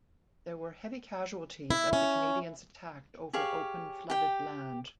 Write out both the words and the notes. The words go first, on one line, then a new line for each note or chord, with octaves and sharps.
There were heavy casualties as the Canadians attacked over open, flooded land.
E4
C#4
G4 G#4 C#5 F5
G4 G5